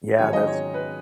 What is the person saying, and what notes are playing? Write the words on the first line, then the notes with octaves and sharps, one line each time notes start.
Yeah. That's
G#2 D#3 F#3 C#4 C#5
D#5
C#5
B4